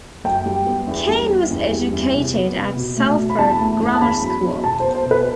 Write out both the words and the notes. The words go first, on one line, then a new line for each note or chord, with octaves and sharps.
Caine was educated at Salford Grammar School.
F#2 G5
G3
B3
E2
G3
B3
E2
G3
E2
C3
B3
C3
B2
A3
B2
B5
E2 A5
A3
E2
A5
E2 B5
F#3
E2
B2 A5
C5
B3
C5
B2
B4